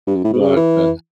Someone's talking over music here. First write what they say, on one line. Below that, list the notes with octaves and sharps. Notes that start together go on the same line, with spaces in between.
but, uh
G2
F#2
A2
B2
C#3
E3